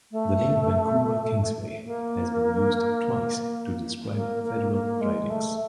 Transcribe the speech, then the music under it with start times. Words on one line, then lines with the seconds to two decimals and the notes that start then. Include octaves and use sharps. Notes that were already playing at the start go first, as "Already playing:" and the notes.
The name "Vancouver Kingsway" has been used twice to describe federal ridings.
0.11 A3
1.85 A#3
4.15 A#3
4.43 A#3
4.72 A#3
5.01 G#3
5.30 A3